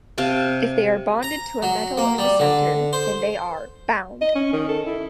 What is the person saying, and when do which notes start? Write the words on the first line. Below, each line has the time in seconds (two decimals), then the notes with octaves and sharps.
If they are bonded to a metal in the center, then they are "bound".
0.18 C3 F5 G5 A5
1.23 A#5
1.63 F#3
1.98 A#3
2.18 G3
2.39 D3
2.93 C5
4.21 D#5
4.35 C#4
4.53 D#3
4.69 A4
4.86 E4